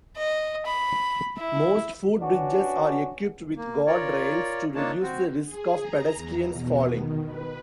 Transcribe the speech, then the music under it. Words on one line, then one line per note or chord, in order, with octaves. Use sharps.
Most footbridges are equipped with guard rails to reduce the risk of pedestrians falling.
D#5
B5
E4
B3 C#4 D4 F#4
A#3
F4 A#4 C#5 D5
A#3 D4 D#4 F4 C#5 A5
C4 F#4
G#4
A#5
E2
B2
D#3
B4